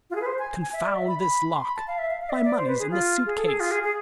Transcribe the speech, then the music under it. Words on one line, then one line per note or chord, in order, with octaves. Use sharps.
"Confound this lock--my money's in the suit case."
F4
G#4
B4
C5
G#5
G#5
E5
D5
E5
B5
B5
C6
B5
A5
F5
E5
F5
F5
D5
E5
D5
C5
B4
G#4
F4
G#4
A4
G#4
F4
G#4
G#4